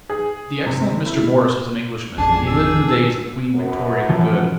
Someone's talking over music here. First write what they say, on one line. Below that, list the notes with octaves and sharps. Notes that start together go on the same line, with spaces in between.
The excellent Mr. Morris was an Englishman, and he lived in the days of Queen Victoria the Good.
G#4
C3
E4
A1 F2 D4 G#4 A5
E6
F#2 B3
E3 F3